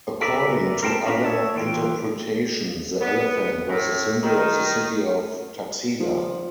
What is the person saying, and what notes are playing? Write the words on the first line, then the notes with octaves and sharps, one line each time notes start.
According to other interpretations the elephant was the symbol of the city of Taxila.
A#4 B4 D5 E5
A#4 C5 G5 A5
C#4 D4 F4 A#4 B4
C#5 E5 A5
E3 F4 G5
B3
A2
D#3
F3